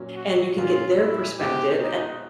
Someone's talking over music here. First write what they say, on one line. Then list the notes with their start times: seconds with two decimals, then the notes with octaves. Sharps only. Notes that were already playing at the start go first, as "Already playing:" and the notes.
and you can get their perspective and
Already playing: A#2 F#3 A#3 C#4
0.16 F#4
0.57 A#2 F#3 A#3 C#4 F4
0.98 E4
1.39 B2 G#3 C4 E4 G4
1.80 D#4